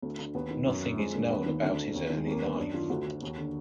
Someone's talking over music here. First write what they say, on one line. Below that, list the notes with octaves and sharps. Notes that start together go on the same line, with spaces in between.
Nothing is known about his early life.
D2
D3
D#2 B3
D#3
F#2
D3
F2 G#3
D3 A#3
D#2 B3
D#3
D2 D4
D3
D#2
D#3
G#3
D#2 A#3
D3 B3
F#2 D4
D#3 F4
D2 F#4
D3
D#2
D3